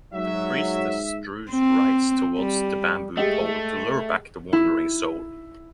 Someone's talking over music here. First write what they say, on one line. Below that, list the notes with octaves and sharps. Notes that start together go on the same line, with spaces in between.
The priestess strews rice towards the bamboo pole to lure back the wandering soul.
G#2 F#3 E5
C4
G3
G#3 A3 G4 D#5
E4